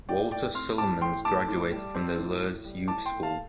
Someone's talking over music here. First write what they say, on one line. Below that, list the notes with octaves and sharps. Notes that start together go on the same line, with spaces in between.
Walter Ceulemans graduated from the Lierse Youth School.
A2 D5 G5
A3 D5 G5
C4 C6 F6
A2 A5 D6
A2 G5 C6
A3 A5 D6
A2
G3
C4
A2
A2
G3
A2 A5 D6
G5 C6
A3
F5 A5